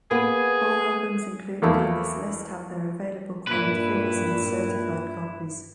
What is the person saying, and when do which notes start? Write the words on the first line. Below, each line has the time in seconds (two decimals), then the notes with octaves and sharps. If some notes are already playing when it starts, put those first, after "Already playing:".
All albums included on this list have their available claimed figures in certified copies.
0.11 A#3 B3 G#4 B4
1.62 E2 A3 A#3 E4
3.47 G2 A#2 E4 B4